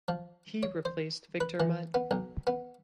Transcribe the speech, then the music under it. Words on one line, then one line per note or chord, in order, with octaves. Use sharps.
He replaced Victor Mutt.
F3
C#5
C5
B4
E3
B3
B1
B3